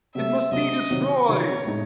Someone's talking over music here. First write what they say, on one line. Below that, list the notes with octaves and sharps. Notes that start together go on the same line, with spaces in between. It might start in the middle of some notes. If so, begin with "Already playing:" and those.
"It must be destroyed!"
C3 F#3 A3 E5
C3 F#3 A3 D#5
C3 D#3 F#3 C4
C3 D#3 F#3 C4 C#5
A2 G#3 D#4